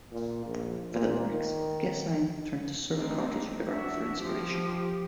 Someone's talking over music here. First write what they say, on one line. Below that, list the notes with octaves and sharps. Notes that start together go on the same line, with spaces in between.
For the lyrics, Gesang turned to Surakarta's river for inspiration.
A#2
A#1
A#2
D#3
A3 C4 D4 D#4
D4 F#4 E5
F3 G4